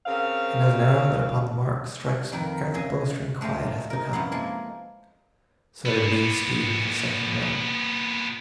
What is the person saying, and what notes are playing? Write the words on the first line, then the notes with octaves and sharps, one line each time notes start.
And as an arrow that upon the mark Strikes ere the bowstring quiet hath become, So did we speed into the second realm.
C#3 C4 A#4 F5
F2 D#3 A#4 B4
C#3 G#4 D#5 E5
G#3 A3 G4 F5 A#5
D#4 A#4
F#2 C3 F3 B3 E4 F5
G#3 A#3 A4
A#2 B3